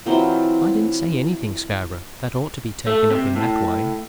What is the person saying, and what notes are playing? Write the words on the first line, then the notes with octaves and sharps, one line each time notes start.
"I didn't say anything, Scarborough, that ought to be taken up in that way."
E3 F#3 C4 F4
A3
C3
A2